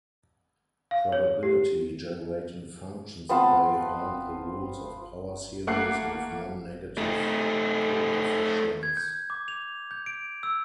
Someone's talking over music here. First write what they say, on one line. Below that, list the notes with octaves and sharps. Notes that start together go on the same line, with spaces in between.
Probability generating functions obey all the rules of power series with non-negative coefficients.
F5
C#5
G4
B3 C4 F4 A5
A3 A#3 F#5 D6 F#6 C7
A3 D#4
G#6
G6
D6
F7
G6
D7
E6